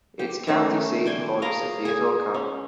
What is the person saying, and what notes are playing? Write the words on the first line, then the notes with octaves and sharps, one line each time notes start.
Its county seat and largest city is Arco.
G4
D#3 A3 C#4
D5 G5 G#5
G#4 A#4 D#5 F5
G#4 G#5
C#4